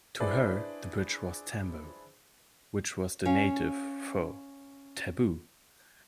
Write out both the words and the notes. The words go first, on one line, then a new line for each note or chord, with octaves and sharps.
To her the bridge was tambo, which is the native for taboo.
D4 E4 G#4 B4 C5 D5
C#4 F5